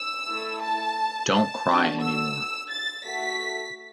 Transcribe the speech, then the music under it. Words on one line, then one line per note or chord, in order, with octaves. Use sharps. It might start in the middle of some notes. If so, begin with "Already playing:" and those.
Don’t cry any more.
Already playing: E6
A3 E4 A4
A5
A5
D4 F#4 A4
E6
A6
A3 F#4 A4 B6